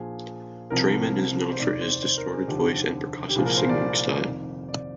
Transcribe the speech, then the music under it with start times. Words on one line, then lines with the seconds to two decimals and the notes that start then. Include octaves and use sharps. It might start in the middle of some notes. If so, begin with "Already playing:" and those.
Draiman is known for his distorted voice and percussive singing style.
Already playing: A#1 A#2 F3 G#4
0.70 C2 C3 F3 A#4
1.52 C5
1.59 F1 D#2 D#3 D5
1.81 C5
2.03 C5
2.18 A#4
2.33 G#4
2.47 F1 D#2 D3 F3 G4
3.29 G4
3.35 C2 A#2 F3 G#4
3.46 A#4
3.57 C5
3.69 D5
4.25 F1 F2 D#3
4.69 D5